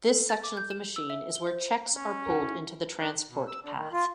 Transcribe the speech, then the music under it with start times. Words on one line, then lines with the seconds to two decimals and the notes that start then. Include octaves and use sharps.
This section of the machine is where cheques are pulled into the transport path.
0.08 A4
0.29 A6
0.44 D6
0.57 G6
0.71 E7
0.96 E6
1.10 E5
1.35 G7
1.47 C5
1.95 C#4
2.26 F#4 A#4
2.41 E4
3.00 D4
3.29 B2
3.48 E6
3.61 D3
3.75 D#3
3.93 F4